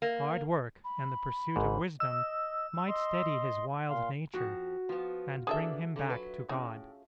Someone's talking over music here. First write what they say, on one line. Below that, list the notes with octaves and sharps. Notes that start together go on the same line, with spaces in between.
Hard work and the pursuit of wisdom might steady his wild nature and bring him back to God.
A#3
B5
G#1 G#2
D#5 E6
D#5 C6
A#2 F5 C6
F2 F3 F#4
F3 B3 F4
A#3 B3 D4 G#4 A4 E5
D3 A3 C#4
F#3 B4
A2 C#3